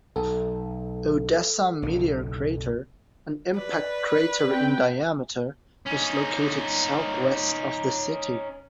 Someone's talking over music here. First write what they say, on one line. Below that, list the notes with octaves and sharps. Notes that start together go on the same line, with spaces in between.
Odessa Meteor Crater, an impact crater in diameter, is located southwest of the city.
B1 A4
F#1 B1 D3
B4 D5
C4 G5
C#4 D#4